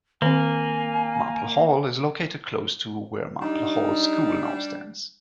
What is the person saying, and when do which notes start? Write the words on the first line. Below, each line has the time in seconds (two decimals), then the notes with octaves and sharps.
Marple Hall is located close to where Marple Hall School now stands.
0.22 D#3 A#3 C4 G#5
3.41 G3 D4 D#4